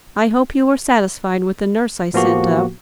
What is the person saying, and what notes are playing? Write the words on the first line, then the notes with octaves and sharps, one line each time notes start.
I hope you are satisfied with the nurse I sent up.
A2 F3 A#3 B3 F#4 G4